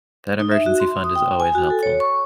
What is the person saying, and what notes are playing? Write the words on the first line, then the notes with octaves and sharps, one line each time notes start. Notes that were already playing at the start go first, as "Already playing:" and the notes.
that emergency fund is always helpful.
D#4
E5
F#4
C6
D#6
G5
G#5
F#4
A4
C#5
C#6